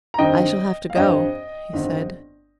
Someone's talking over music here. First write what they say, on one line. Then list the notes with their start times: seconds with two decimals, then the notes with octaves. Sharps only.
"I shall have to go," he said.
0.14 A#5
0.18 G2 D#3 C4 D#5 G5
0.90 F5
0.95 G2 F3 C4 D#5 G5
1.73 G1 G2 D#3 C4